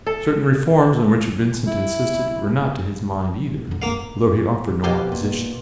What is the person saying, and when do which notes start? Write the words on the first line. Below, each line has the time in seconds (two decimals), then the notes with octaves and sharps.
Certain reforms on which Vincent insisted were not to his mind either, although he offered no opposition.
0.07 A4
1.67 E4
3.67 F2 D3
3.82 G2 A#3 C4 F5
4.84 B2 A#3 G4 F5
5.12 A#2